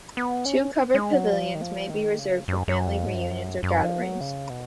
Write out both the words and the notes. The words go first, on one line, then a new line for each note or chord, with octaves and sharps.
Two covered pavilions may be reserved for family reunions or gatherings.
B3
C#4
G#3
F#3
F3
D#3
F3
D#3
C#3
F#2
F#2
F2
G#2
F#2
F2
F#2
F#2
F3
F#3
C#3
B2